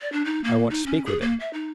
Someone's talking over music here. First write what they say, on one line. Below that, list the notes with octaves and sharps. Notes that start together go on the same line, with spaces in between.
"I want to speak with him."
D5
D4
D#4
A#3
D#4
C#4
G#4
A#3
E5
D#4